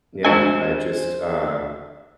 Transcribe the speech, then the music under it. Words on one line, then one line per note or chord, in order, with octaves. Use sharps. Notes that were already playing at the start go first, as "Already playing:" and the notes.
yeah, I just, um
G#3 D4 F#4 C5 G#5